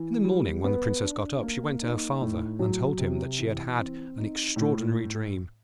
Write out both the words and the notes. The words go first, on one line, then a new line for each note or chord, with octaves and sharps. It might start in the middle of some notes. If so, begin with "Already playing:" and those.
In the morning when the Princess got up, she went to her Father, and told him that she had had an extraordinary dream.
Already playing: E3
G3
B3
D4
A#3
D#4
A2
F#3
C3
E3
C4
D#4
A2